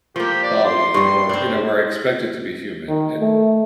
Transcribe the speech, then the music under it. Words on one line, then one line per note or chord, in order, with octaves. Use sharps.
Bali or, you know, where I expect it to be humid, eh,
F3 A#3 G4
D5
C6
G2 G3
C4 D4
D#3
A3